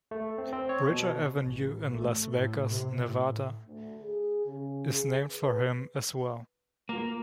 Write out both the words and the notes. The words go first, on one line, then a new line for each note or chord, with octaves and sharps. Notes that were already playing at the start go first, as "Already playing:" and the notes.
Bridger Avenue in Las Vegas, Nevada is named for him as well.
A3
C4
C4
C#5
B2
A1
A3
A2
C3
A2
D2
G#4
C#3
G#4
B4
A#3 F4 A#4